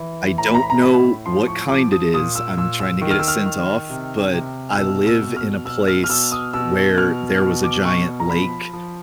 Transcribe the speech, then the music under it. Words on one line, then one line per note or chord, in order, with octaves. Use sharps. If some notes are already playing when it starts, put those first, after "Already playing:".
I don't know what kind it is. I'm trying to get it sent off, but I live in a place where there was a giant lake.
Already playing: E3
A2 A#5
B5
A#5
B5
A#5
A2 B5
F3 C6
C#6
F3 D6
D#6
A#2 D#6
E6
A#2 E6
E6
D#3
F6
E6
F6
D#3
C3
C3
F6
B2 E6
E6
B2
F6
B2 E6
F6
F6
B2 E6
D#6
B2 E6
B2 F6
B2
D6
B2 C#6
A#5
F3 B5
F3